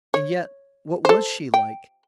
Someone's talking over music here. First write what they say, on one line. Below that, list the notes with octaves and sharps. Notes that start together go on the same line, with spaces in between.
And yet--what was she like?
C#5
A4 C5
G5